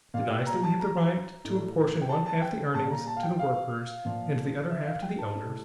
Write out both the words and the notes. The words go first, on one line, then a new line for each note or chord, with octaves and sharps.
Denies that we have the right to apportion one-half the earnings to the workers and the other half to the owners.
A#2 G3 F5
G5
A#5
A5
A#5
A2 G3
G5
A5
A5
G5
A#2 G3 A5
A#5
A5
F5
G5
F5
A#2 F3
E5
F5
G5
A5
A2 G3